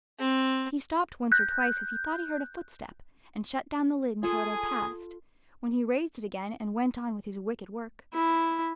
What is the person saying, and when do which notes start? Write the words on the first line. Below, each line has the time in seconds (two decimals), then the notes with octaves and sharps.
He stopped once or twice as he thought he heard a footstep, and shut down the lid until it had passed, when he raised it again and went on with his wicked work.
0.19 C4
1.32 F#6 G6
4.23 F4 G#4 A4 G#5
8.14 E4